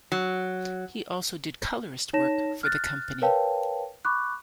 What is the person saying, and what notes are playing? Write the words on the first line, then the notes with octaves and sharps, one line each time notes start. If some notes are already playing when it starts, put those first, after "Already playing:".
He also did colorist work for the company.
F#3
D#4 C#5 A5 A#6 E7
F6 F#6 A6
A#4 B4 C#5 F5 G5 A5
B5 C#6 D6 F#6